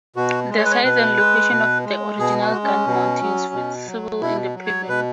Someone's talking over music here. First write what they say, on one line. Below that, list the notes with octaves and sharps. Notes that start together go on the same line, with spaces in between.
The size and location of the original gun mounting is visible in the paving.
B2 F#4
G#3
C#5
B4
C#5
B2 B4
G#3
B2
G#3
B2 G#4
F#4
G#3
C#4
B2
F#3
B2
F#3
B2 E4
F#3
C#5
B2 B4